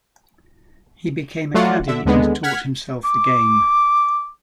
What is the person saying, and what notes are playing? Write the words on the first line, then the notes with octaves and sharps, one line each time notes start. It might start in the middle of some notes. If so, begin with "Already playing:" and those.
He became a caddie and taught himself the game.
F#3 A3 F4 F#4 D5 F#5
D3 E5
D#2 D3 G#3 B3
F#5 F6 G#6 B6
D6